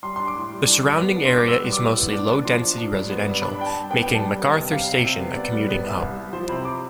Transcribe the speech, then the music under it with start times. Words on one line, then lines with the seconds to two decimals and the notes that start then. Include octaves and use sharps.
The surrounding area is mostly low-density residential, making MacArthur station a commuting hub.
0.03 G3 C6
0.16 D4 C6
0.27 D6
0.36 A2
0.51 G3
0.67 D4
0.83 G3
1.00 B3
1.16 D4
1.25 C6
1.32 B3 D6
1.48 B3 E6
1.64 G3
1.72 D6
1.80 A2
1.97 B3
2.13 D4
2.29 D4
2.45 F3 C6
2.61 D4
2.78 D4
2.94 G2
3.10 B3
3.26 G2
3.42 D4 B5
3.59 D4 G5
3.66 A5
3.75 D4
3.91 B3 G5
4.03 G5
4.07 G3
4.15 A5
4.23 G3
4.39 B3
4.55 C3 G5
4.72 G3 F5
4.88 C3
5.04 C3
5.20 B3
5.36 B3 D5
5.52 G3
5.69 B3
5.84 C2
6.00 C2
6.17 C2
6.33 F3 C5
6.49 C3 B5
6.65 C3 D6